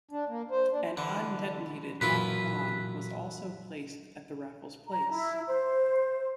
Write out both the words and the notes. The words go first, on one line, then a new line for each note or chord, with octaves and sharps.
An undetonated mock bomb was also placed at the Raffles Place.
D4
A#3
C5
D4
D3 E3
F#2 A#2 E3 E4 F4 B4
A#5
E4
C5